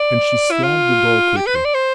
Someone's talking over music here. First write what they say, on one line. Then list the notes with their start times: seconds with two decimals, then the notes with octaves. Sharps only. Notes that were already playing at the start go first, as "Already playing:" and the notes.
And she slammed the door quickly.
Already playing: D5
0.51 E4
0.63 F4
1.37 G4
1.47 B4
1.56 C5
1.65 D5
1.74 C5